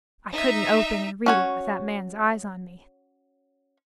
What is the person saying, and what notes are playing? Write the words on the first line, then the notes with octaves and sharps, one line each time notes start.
I couldn't open and read it with that man's eyes on me.
D#4 E5
C#4 F#4 C#5